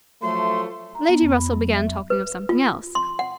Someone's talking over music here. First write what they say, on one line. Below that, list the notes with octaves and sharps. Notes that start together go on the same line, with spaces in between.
Lady Russell began talking of something else.
F3 F#3 A3 C6
A#5
B3
F2
B5
F#3
E5
B4
F4
C6
F#5